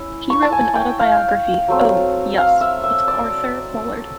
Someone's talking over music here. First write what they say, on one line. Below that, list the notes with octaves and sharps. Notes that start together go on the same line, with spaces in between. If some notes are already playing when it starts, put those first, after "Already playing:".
He wrote an autobiography, "Oh, Yus, It's Arthur Mullard".
Already playing: C#4 E4
C#6
A5
G#5
G5
F5
F#3 A3 C4
F5
E5
E5
D5